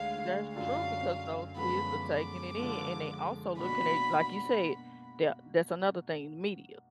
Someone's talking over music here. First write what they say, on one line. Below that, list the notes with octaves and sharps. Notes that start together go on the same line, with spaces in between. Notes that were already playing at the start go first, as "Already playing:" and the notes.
That's true because those kids are taking it in, and they also looking at like you said, that that's another thing, media.
Already playing: D2 D3 G#3 D4 G#4 F5
F#2 D3 F#3 D4 F4 F5
F#2 D3 F3 G#3 B3 B5
D6
D3 F3 G#3
B2 A#3 D4 F#4 B5